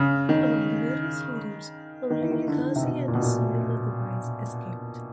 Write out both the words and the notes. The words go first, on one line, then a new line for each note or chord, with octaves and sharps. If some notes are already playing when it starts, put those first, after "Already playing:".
Among the various leaders, only Ilghazi and his son-in-law Dubais escaped.
Already playing: C#3
D#3
D#3
E3
D#3
D3
C3
B2
A#2
B2
A#2